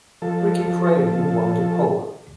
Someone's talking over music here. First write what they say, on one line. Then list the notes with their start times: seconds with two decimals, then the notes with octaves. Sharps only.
Ricky Craven won the pole.
0.22 F3 A4